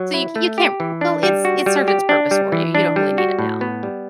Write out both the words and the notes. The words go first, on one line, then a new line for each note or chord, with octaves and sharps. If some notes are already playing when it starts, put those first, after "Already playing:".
So you ca you can't well, it's it's served its purpose for you. You don't really need it now.
Already playing: F#3
E4
A3
G4
E3
D4
G3
F#4
G3
G4
D4
G3
E3
D4
G3
F#4
A2
B3
G3